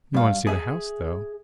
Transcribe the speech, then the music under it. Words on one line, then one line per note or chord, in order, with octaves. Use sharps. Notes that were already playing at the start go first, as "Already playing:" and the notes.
"You want to see the house, though?"
G2 F5
G#4 E5